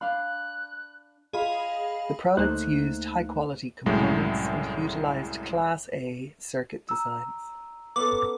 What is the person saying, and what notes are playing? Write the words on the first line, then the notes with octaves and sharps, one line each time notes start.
The products used high-quality components and utilized Class-A circuit designs.
D4 F5 B5 F#6
F4 G#4 D#5 F5 B5
D2 A3 A#3 D#4 C5 F#6
C2 F#2 A2 G#3
A#5 E6
B3 C#4 A4 D6